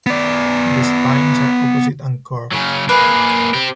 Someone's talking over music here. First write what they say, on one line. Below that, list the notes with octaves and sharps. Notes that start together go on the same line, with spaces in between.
The spines are opposite and curved.
B3 D5
C#3 F#3
A#3 G#4 B4
C4 G4